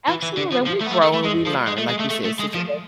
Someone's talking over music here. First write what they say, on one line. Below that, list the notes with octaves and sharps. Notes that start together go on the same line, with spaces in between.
Absolutely, and we grow and we learn, like you said, situations
E3
E3
D3
F3
F3
A3
B3
A3
A3
A3
G#3
F3
G#3
A3
G#3
A3
A3
A3
G#3
F3